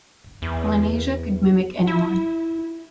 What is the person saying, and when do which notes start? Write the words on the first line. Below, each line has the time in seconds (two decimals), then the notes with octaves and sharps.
Polynesia could mimic any one.
0.42 E2
1.87 E4